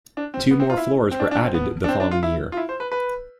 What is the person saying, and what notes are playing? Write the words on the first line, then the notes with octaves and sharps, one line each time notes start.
Two more floors were added the following year.
D4
C4
B3
C4
F4
E4
C4
D4
D4
C4
B3
D4
C4
D4
F4
E4
F4
E4
C5
B4
B4